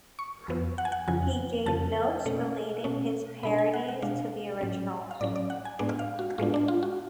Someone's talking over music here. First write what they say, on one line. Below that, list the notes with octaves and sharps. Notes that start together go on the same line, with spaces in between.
He gave notes relating his parodies to the originals.
C#6
F2 F3 B3
F#5
G#5
F#5
F2 C#3 F3 G#5
F2 C#3 F3 A5
B2 A3 C#4
B2 A3 C#4
B2 G#3 D4 B5
G#5
F#5
F#5
B2 G#3 D4 F5
A2 F#3 C#4
F5
A2 F#3 C#4 D5
D5
F#5
G#5
A2 G#3 B3 D4 D5
F5
F#4
A2 G#3 B3 D4 F4
D4
F4
F#4